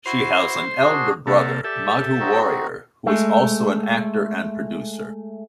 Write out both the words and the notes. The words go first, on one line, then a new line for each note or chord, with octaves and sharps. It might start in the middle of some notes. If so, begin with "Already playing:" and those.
She has an elder brother, Madhu Warrier, who is also an actor and producer.
E4 F#4 C5 C6
D4 F#4 G#4
C3 A#3 A4 E5 F#5
G4 A4 D5 E5
C4 D#4 F#4
G#3 A3